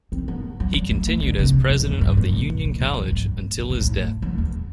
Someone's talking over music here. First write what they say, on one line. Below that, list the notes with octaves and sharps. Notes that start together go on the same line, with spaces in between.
He continued as president of Union College until his death.
C4
B3
F#3
G3
A3
A3
D3
C3
F#2
E2
G2
A2
B2
B2
A2
F#2
G2
A2
B2
A2
A2
F#2
E2